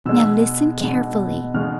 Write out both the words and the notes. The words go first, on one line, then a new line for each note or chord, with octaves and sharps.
Now, listen carefully.
B2 G#3 E6
B2 G#3
B2 G#3 F6